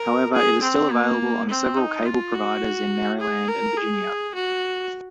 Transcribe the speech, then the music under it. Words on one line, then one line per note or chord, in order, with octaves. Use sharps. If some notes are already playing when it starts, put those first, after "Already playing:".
However, it is still available on several cable providers in Maryland and Virginia.
Already playing: A#4
G#4
C4
A#3
C4
D#4
F4
F#4
G#4
A#4
G#4
F#4